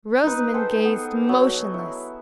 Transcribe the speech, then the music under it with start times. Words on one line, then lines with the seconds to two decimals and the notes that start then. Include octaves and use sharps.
Rosamond gazed motionless.
0.24 D#4 B4
0.54 G#4 A4 C5 G5
0.85 B3
1.29 F#3
1.74 E4